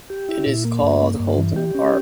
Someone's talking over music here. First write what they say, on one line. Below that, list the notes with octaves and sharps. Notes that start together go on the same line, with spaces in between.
It is called Holden Park.
G4
E4
A#2
A#3
G2
A#3
G2
E3
G4
C#4